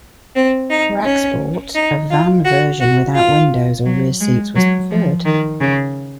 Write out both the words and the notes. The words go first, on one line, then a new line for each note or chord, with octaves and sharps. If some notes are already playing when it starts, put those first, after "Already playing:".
For export, a van version without windows or rear seats was preferred.
C4
D#4
C#4
D#4
F4
F#4
F#4
F4
F#3
G#3
F#3
F3
D#3
C#3